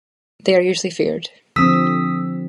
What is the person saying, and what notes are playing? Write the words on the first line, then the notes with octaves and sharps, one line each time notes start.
They are usually feared.
D3 F3 C4 D#6 E6 B6